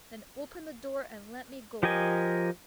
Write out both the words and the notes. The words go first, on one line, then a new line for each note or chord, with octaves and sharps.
"Then open the door and let me go."
F3 G4 A#4 D#5 G#5